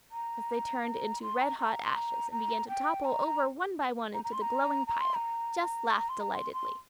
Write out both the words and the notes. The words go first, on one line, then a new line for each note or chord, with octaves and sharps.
As they turned into red-hot ashes and began to topple over one by one into the glowing pile, Jess laughed delightedly.
A#5
C6
A#5
A#5
C6
A#5
A#5
G5
A#5
A#5
A#5
C6
A#5
A#5
C6
A#5
A#5
A#5
C6
A#5
C6
C6